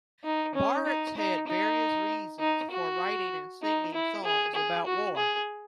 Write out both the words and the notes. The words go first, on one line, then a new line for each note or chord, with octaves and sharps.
Bards had various reasons for writing and singing songs about war.
D#4
C#4
D#4
D#4
D#4
D#4
F#4
D#4
E4
G#4
G#4
F#4
G#4